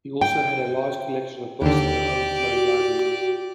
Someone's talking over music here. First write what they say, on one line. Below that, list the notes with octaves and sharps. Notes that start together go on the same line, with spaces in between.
He also had a large collection of books and an overflowing library.
G5
D#2 D3 G4 D5
F#4